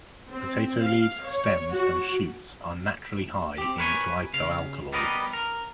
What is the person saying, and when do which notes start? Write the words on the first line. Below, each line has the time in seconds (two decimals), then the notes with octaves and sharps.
Potato leaves, stems, and shoots are naturally high in glycoalkaloids.
0.29 C4
0.82 F5
1.25 C#5
1.71 F#4
3.58 C4 G4
3.78 A#4 B4 C#5 F#5 G#5
4.34 C#3 F5
4.93 G3 B3 A#4 D#5
5.33 A#4